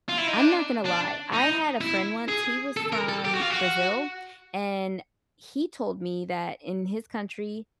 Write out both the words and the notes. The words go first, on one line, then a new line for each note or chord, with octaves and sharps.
I'm not gonna lie, I had a friend once, he was from Brazil, and he told me that in his country,
F4
E4
D#4
D4
D4
D#4
E4
G#4
A4
A#4
A4
G4
F#4
F4
F#4